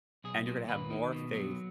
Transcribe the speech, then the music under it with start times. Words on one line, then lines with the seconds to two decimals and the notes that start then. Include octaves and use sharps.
and you're gonna have more faith
0.24 B1 G#4
0.47 A#2
0.68 D#2 B4
0.90 D#3
1.12 B2
1.34 F#3